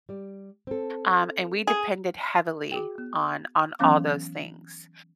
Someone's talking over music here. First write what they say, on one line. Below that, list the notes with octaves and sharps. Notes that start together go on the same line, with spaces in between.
Um, and we depended heavily on on all those things.
G3 D5
C4 A4
G#4
F#4 G#4 G5
B3
E3 F#3 B3 C#4 F5 D6